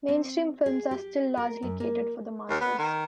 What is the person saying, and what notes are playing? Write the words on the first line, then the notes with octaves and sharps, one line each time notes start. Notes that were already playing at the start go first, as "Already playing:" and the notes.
Mainstream films are still largely catered for the masses.
C4
G#4
G4
A#4
F#2
A#3
D#2
B3
D#3